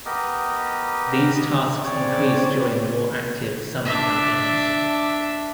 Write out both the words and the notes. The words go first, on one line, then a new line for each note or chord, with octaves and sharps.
These tasks increase during the more active summer campaigns.
B3 G4 A#4 D#5
C#3 C4 C#5 D5
D4 E5